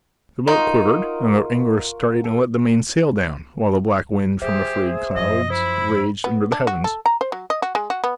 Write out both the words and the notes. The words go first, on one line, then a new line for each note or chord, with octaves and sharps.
The boat quivered, and the angler started and let the main-sail down, while the black wind from the frayed clouds raged under the heavens.
D#4 F4 F#4 A#4
A4
F#3 G4 G#4 C5 E5
F#2 F3 D#5
E4 C5 B5
B3
D4
F#4
A4
A#5
C5
F#3
D#5
F#4
G#3
F#4
B3